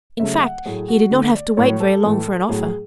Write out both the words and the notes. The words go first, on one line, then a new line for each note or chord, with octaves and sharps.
In fact, he did not have to wait very long for an offer.
C#3 F#3 A3 E5
F#5
A2 F#3 A3 G#4
F#4
D3 A3
D5
A2 F#3 A3 C#5
A4
A2 E3 A3
A2 F#3 A3 G#4